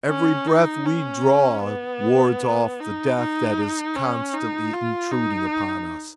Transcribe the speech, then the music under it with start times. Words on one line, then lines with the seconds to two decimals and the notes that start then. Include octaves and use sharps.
Every breath we draw wards off the death that is constantly intruding upon us.
0.08 C#4
0.47 D#4
0.86 C#4
1.63 B3
2.80 D#4
3.18 D#4
3.96 C#4
4.34 D#4
4.73 F4
5.11 D#4